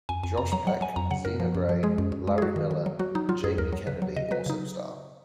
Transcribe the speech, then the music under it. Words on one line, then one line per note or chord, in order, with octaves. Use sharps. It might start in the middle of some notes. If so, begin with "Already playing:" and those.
Josh Peck, Zena Grey, Larry Miller and Jamie Kennedy also star.
F2 G#5
F2 G#5
F2 A#5
F#3 A#5
F#3 F#5
F#3 G#5
F2 A#5
C#3 F#5
F#2 A#4
F3
F#2
F3
G#3 G#4
F#2
F#2
G#3
G#4
F#3 F#4
D#3
D#3
F#3
F#3 F#4
F#3 D#4
F#3 F4
F#2 G#4
D#2 A#4
F#3
C#3 B4
F#3
C#3 D#5
F#3 B4
C#3 D#4